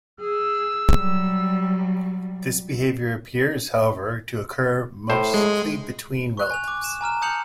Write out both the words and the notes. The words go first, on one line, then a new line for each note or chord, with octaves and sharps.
This behavior appears, however, to occur mostly between relatives.
G#4 E6
F#3 G3
A2 C5
G#3
C#6 F#6
G#5 F7
D6
E7
G#5 A#5 F6 E7
A5 D#6 G6 C#7 F7 F#7